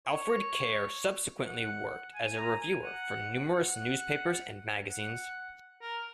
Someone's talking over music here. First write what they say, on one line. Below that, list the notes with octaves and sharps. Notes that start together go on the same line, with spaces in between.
Alfred Kerr subsequently worked as a reviewer for numerous newspapers and magazines.
C#5
F#5
G#5
A#5
G#5
F#5
F#5
F#5
A#4